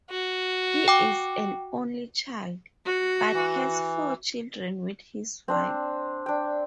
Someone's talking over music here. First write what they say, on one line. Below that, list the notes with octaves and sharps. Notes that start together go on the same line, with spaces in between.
He is an only child, but has four children with his wife.
F#4
G5 D6
F#4
E3
C4 D4 C5
D4 G5